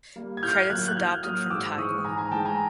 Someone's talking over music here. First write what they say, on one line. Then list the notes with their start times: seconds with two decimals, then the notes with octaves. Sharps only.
Credits adopted from Tidal.
0.16 G3 A#3
0.37 G#6
0.43 A2 F6 G6
0.70 F#3 A#3 F#6 G#6
0.88 F#6
0.96 A2 F6 G6
1.23 F#3 A#3 D#6 F6
1.50 G#2 D6 E6
1.77 E3 G#3 C#6 D#6
2.04 G#2 G#5 A#5
2.17 G#5 A#5
2.31 E3 G#3 G5 A5
2.45 G#5 A#5